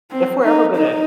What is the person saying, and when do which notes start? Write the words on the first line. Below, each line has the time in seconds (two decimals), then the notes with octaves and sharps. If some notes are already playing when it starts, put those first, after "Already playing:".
if we're ever gonna
0.11 C4
0.43 D#4
0.76 D#4